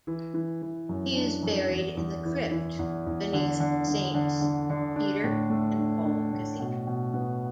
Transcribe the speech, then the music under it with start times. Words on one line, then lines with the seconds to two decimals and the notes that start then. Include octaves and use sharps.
He is buried in the crypt beneath Saints Peter and Paul Cathedral.
0.07 E3
0.34 E3
0.62 E3
0.89 F#2
1.16 D4
1.43 F#2
1.70 E2
1.97 E2
2.25 E3
2.51 E3
2.79 E2
3.06 E2
3.33 D3
3.60 D3
3.88 D3
4.14 D3
4.41 D3
4.70 D3
4.96 D4
5.24 A2
5.50 A3
5.78 D4
6.05 D4
6.32 A2
6.59 B2
6.87 B2
7.14 B3